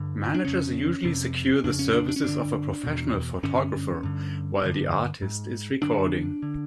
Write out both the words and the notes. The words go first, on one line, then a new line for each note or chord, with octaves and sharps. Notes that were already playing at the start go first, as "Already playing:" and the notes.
Managers usually secure the services of a professional photographer while the artist is recording.
Already playing: G2 D3
D4
F2 C#3 C#4
F2 C3
F2 C#3 D4
C#4
D4
D4
C#4
G2 D3 D4
E2 B2
G2 D3 C#4
G2 D3
G2 D3
G#2
F#2 D3 D4
D3